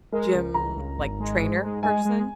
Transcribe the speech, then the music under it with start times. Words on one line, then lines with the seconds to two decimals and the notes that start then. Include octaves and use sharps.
gym, like, trainer person
0.12 G#3 A#4
0.34 C#2
0.54 C#2 A#5
0.76 C#2
0.97 G#1
1.20 G#3
1.40 G#2
1.62 G#3
1.83 G#3 G#5
2.05 G#3